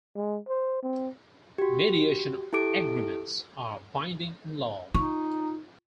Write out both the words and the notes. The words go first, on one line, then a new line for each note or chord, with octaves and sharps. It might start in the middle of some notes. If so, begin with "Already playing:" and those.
Mediation agreements are binding in law.
G#3
C5
C4
F#4 G4
E4 G4 A4 D6 D7
D#4 F4 C#6